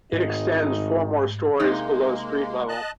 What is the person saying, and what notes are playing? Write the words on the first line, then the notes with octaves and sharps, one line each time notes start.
It extends four more stories below street level.
G#1 G#2 A3 D#4
C3 G#3 A#3 D#4
D#5 A5 F#6